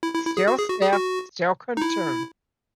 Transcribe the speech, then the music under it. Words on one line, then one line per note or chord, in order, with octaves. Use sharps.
Still stiff, still couldn't turn.
E4
E4
E4
G#4
F#4
G#4
F#4
G#4
F#4
D#4
E4